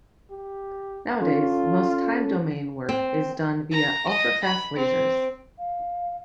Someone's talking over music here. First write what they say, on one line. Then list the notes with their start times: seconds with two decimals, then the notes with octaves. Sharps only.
Nowadays, most time-domain work is done via ultrafast lasers.
0.31 G4
1.21 C#4 F4 A4
2.89 C4
3.71 A#5
4.08 D#5
4.43 B5
4.75 C4
5.59 F5